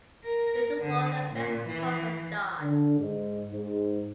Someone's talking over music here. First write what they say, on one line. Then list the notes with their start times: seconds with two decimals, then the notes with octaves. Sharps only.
Peter Lorre and Fess Parker starred.
0.24 A#4
0.80 D3
1.32 A#2
1.68 E3
2.61 D3
2.98 G#2
3.51 G#2